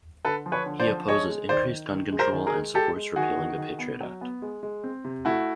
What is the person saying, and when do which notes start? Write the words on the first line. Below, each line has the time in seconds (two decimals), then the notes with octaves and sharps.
He opposes increased gun control and supports repealing the Patriot Act.
0.25 D3 A4 B4
0.46 F3
0.52 B4 C#5
0.66 D3
0.80 C5 D5
0.87 F3
1.08 G#3 C#5 D#5
1.29 G#3
1.49 D#3 C5 D5
1.71 D#3
1.91 D#3
2.12 G#3
2.19 A#4 C5
2.33 D#3
2.47 G#4 A#4
2.55 G#3
2.75 G#3 G4 A4
2.96 G#3
3.16 D#3 F#4 G#4
3.37 D#3
3.58 D#3
3.79 B3
4.01 F#3
4.21 B3
4.42 G#3
4.63 G#3
4.84 C4
5.04 C3
5.25 A3 E4 F#4